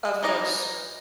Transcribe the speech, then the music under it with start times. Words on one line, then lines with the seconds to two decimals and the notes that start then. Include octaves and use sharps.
of those
0.23 E3 D#4 D5 D#5